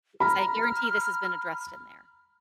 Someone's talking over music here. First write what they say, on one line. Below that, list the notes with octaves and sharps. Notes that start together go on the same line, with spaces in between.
Because I guarantee this has been addressed in there.
A#5 B5 F6